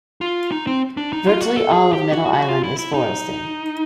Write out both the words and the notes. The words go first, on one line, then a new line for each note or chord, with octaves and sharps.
Virtually all of Middle Island is forested.
F4
D#4
C4
D4
D#4
F4
F#4
A4
G#4
G4
F#4
F#4
F4
E4
E4
D#4